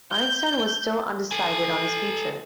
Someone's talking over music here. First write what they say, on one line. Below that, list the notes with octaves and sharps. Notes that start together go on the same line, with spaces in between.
Einstein was still undecided on his future.
G6
A4 G#5